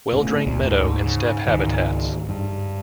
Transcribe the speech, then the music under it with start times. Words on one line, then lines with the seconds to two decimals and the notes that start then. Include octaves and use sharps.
Well-drained meadow and steppe habitats.
0.13 A2 C#3
0.46 D2 A#2
0.65 D2 G#2
1.06 C#3
1.47 C#2 G#2 D#3
2.29 G2